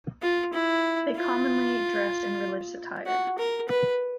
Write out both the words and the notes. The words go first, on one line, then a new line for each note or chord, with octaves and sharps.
They commonly dress in religious attire.
F4
E4
F4
F#4
A#4
B4